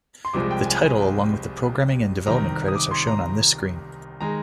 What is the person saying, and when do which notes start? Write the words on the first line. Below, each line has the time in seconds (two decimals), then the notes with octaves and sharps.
The title along with the programming and development credits are shown on this screen.
0.25 C6
0.33 C2 C3 F3 G#3 D6
0.51 G5
0.66 G#5
0.82 G#5
2.26 C2 C3 D#3 A#5
2.68 D#6
2.75 D6
2.91 C6
3.07 A#5
4.20 D#3 G#3 A#5